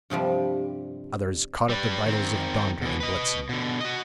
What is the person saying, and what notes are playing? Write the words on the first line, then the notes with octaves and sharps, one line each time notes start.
Others caught at the bridles of Donder and Blitzen.
G2 C3 F3 G3
G3 B4
D#3 C4
B2 E3
B4 D#5
B2 D3
F#4 D#5